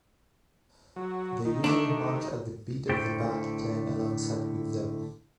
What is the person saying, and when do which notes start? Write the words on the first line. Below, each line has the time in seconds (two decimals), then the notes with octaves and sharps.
They usually march at the beat of the band playing alongside with them.
0.96 F#3
1.45 D#3
1.64 A3 D4
2.89 A2 D3 A3 A4 C5 G5